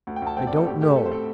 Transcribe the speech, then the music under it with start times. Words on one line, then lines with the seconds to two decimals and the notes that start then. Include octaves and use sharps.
I don't know!
0.07 D2
0.16 G5
0.22 D2 A5
0.37 C4 G5
0.47 D2 D5
0.57 A4
0.67 A2 G4
0.81 A3 G4
0.96 C4 A4
1.06 C5
1.11 C4 A4